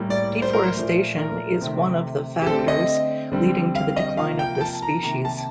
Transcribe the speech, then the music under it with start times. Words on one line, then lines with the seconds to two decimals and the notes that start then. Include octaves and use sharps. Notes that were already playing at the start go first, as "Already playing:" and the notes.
Deforestation is one of the factors leading to the decline of this species.
Already playing: A2 G3 A#3
0.10 D5
0.33 D5
0.42 C5
0.53 A#4
0.64 C5
0.75 A#2 F3 A3
1.18 A#4
1.61 C3 D#3 A3 C4
2.42 G4
2.47 D3 A3 C4 A4
2.68 D#5
3.32 D3 G3 C4
3.75 F5
3.96 D#5
4.17 C3 F3 A#3 F5
4.39 G5
4.55 G5
4.61 A5
4.82 A#5
5.03 C3 D#3 A#3 A#5
5.25 A5